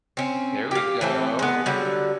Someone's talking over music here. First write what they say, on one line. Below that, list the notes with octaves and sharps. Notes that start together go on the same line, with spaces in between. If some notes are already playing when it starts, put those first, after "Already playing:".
There we go.
C4 C#4
G4 F5
E3 C4 A4
G#3 B3
D3 F#3 G3